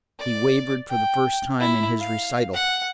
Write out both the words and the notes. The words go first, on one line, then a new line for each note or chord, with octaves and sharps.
He wavered for the first time in his recital.
D5
G5
E4
F5
F#5